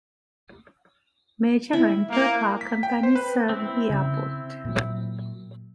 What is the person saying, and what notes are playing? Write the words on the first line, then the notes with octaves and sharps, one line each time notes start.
Major rental car companies serve the airport.
E4
A#3
B6
G5
C5
B4
C4 E4
C#3
A#2 F#3